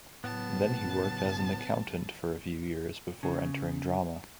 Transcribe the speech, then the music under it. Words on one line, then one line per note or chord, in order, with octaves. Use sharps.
Then he worked as an accountant for few years before entering drama.
A2 C#3 F#3 B3 A5
C#3